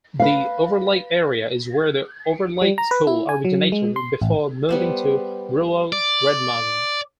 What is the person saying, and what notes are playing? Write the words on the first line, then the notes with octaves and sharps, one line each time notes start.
The Overlake area is where The Overlake School originated before moving to rural Redmond.
B4 F5
G3
A#5
B4
E4
G#5
F#3
G#3
C6
A1
G3 B3 C5
D5